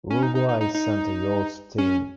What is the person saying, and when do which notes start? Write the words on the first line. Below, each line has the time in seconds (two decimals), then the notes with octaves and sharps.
Uruguay sent a youth team.
0.10 C#4
0.23 D#4
0.35 D#4
0.49 D#4
0.61 D#4
0.74 D#4
1.78 C#4